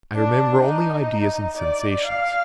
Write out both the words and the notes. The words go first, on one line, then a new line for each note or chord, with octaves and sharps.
I remember only ideas and sensations.
D4
D#4
D5
F5